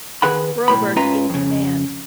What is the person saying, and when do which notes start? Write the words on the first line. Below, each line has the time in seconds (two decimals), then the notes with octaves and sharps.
Broberg in command.
0.22 D#3 G#4 B4 F#5 B5
0.68 B1 A2 B5
0.96 G#2 C#4 F4 B4 D#5 A#5
1.29 F2 C#3